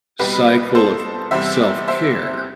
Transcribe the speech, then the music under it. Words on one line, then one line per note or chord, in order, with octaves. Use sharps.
cycle of self-care
C2 B2 G3 G4 B4
A4 C5
E2 C3 G3 C5 E5
C5 E5